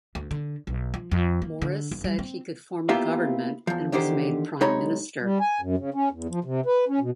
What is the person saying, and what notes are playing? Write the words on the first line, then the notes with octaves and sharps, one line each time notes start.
Morris said he could form a government and was made Prime Minister.
D2
D3
B1
F3
F2
A#3
D3
F#1
G3
C4
A#3 B3 E4 F4 G4 E5
E2 F3
E2 D3 D#3 G4 C5
B1 G#3 D#4 G4 C#5 B5
G3
G#5
F#2
C#3
C#4
E2
F3
C3
B4
C#4
B2